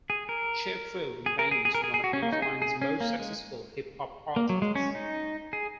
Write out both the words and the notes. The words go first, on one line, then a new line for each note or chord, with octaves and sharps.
Che Fu remains one of New Zealand's most successful hip hop artists.
G#4
A#4
G#4
A#4
G#4
G#4
A#4
G#4
G#4
F#4
C#4
A#3
D#4
G#4
G#4
C#4
A#3
G#3
A#3
F#3
G#3
C#4
D#4
G#4